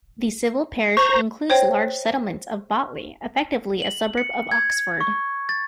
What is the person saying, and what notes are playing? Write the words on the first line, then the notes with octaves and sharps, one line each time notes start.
The civil parish includes the large settlement of Botley, effectively a suburb of Oxford.
C5 A#5 C#6
C5 C#5 G5
F#7
C#7
G#6
C#6
A6